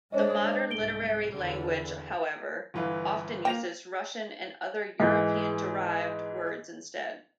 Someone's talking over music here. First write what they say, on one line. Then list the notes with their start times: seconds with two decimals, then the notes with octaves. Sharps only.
The modern literary language, however, often uses Russian and other European-derived words instead.
0.12 G#3 D4 C5 C#5 D#5
0.71 C2 G#2 D7 G7
1.33 E2 D3
2.74 G1 E3 F5
3.45 A#3 G5 A#6 F7
5.00 G#2 E3